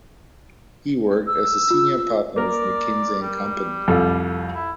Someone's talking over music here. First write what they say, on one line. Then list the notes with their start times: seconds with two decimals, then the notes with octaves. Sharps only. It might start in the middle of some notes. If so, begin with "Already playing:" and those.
He worked as a Senior Partner with McKinsey and Company.
1.27 E6
1.71 F4
2.36 A#3 A#4 D5
3.22 G3
3.88 C2 F2 A4
4.54 E4